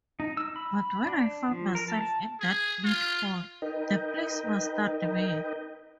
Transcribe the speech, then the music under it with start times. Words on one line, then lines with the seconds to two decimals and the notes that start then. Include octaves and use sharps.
But when I found myself in that neat hall the place mastered me.
0.20 D#4
0.37 E6
0.56 B5
1.06 D4
1.51 F3
1.75 A#4
1.88 A5
2.40 G#4
2.85 F4
3.62 D#4 A#4 B4 D#5 G5